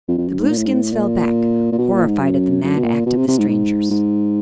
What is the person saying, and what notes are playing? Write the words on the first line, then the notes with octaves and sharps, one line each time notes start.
The Blueskins fell back, horrified at the mad act of the strangers.
F2
F2
F#2
G#2
A#2
A2
G#2
A2
A#2
A#2
B2
A#2
G#2
F#2
F#2
B2
A#2
B2
C3
C3
G#2
G#2
G#2